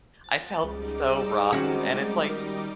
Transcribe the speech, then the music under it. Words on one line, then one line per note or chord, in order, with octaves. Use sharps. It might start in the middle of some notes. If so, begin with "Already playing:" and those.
I felt so rotten. And it's like,
F3 B3 A6
C#2 G3 D#4 G#4 D6
E6
D#3 G#3 C4 C#4 F#4
A#4